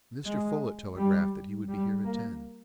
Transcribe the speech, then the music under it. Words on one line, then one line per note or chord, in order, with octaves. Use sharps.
"Mr. Folett telegraphed that he would be here at ten."
G#3
G3
G3
A#3